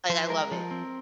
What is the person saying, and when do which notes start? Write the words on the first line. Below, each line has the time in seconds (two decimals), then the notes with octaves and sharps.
Like, I love it.
0.10 F3 C5
0.30 G#3 A#4
0.51 F3
0.71 C4